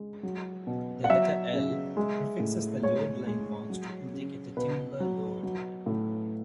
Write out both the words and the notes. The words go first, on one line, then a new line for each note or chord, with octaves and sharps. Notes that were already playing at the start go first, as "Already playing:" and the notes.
The letter "L" prefixes the load line marks to indicate a timber load line.
Already playing: G#3
F#3
B2
F#5
F#3 E5
C#3
G#3
A2
G#3 C#5
G#3
F#3
C#3
B2 B4
F#3
F#3
A2